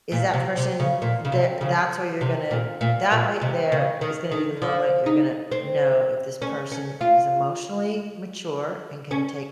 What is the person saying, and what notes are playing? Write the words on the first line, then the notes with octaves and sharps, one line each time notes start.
Is that person tha that's where you're gonna that right there, is gonna be the moment you're gonna know if this person is emotionally mature, and can take
A#2
C3
C3
C#3
A#2
C#3
C3
C#3
C3
A#2
A#2
A#2
C3
C#3
D#3
D#3
F3
D#4
C4
C#4
C#4
F4
C#4